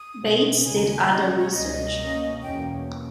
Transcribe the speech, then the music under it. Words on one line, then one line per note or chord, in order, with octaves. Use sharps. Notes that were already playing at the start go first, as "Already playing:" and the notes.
Bates did other research.
Already playing: D#6
B2 G3 B3
D#2 C#3 G#3 C#4 G#5
A#5
G#5
G5
B2 G3 C#4 D#5
C#5
C#5
C#2 B2 G3 C#4 D#5
B2 A#3 C#4
E2 B2 A#3 C#4 G5